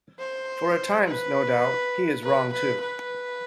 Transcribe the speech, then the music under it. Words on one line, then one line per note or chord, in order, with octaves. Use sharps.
For at times, no doubt, he is wrong too.
C5
B4
B4
B4
B4